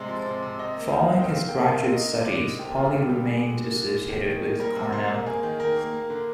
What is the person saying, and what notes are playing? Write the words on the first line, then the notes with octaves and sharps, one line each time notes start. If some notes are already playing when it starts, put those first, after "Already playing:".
Following his graduate studies Holley remained associated with Cornell.
Already playing: C3 G#3 D5
F3
C3
C3
C3 D#5
A#3
D#3 F5
C3
G5
C3 F5
A#3
G5
A#3 F5
C3
A#3 D#5
D3
D3 D5
A#3
C3 G4
C3 F4
G3 G4
G3 G4
D3 G#4
D3
A#3
D3
A#3
D#3
D#3
A#3
G3 A#4
C3
C3 C5
A#3
A#3 G#4
D#3
D#3 A#4
A#3
A#3
D3